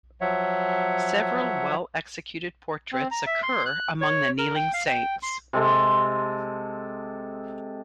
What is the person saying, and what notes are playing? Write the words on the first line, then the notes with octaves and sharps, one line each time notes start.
Several well-executed portraits occur among the kneeling saints.
F3 F#3 C#5 E5 F#5
C4
A#5
E5
C6
F#6
C#5
A#4
G5
F5
G5
C6
C3 G#3 A4